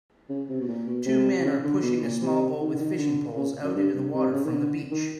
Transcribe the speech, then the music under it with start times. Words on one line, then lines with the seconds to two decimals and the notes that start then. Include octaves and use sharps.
Two men are pushing a small boat with fishing poles out into the water from the beach.
0.29 C#3
0.49 C3
0.60 B2
0.68 A#2
0.87 B2
1.06 C3
1.40 C3
1.44 C#3
1.64 D3
1.83 B2
2.02 A#2
2.21 C3
2.61 D#3
2.74 D3
2.79 D#3
2.98 D3
3.36 C#3
3.63 F#2
3.75 G2
3.95 G2
4.14 C3
4.33 C#3
4.45 D#3
4.52 D3
4.91 D#3